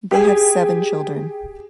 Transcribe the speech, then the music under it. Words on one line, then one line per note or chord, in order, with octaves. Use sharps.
They have seven children.
G4 G#4